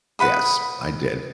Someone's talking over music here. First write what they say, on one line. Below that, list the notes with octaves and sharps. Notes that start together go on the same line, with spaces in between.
yes, I did.
B4 F#5 B5 D#6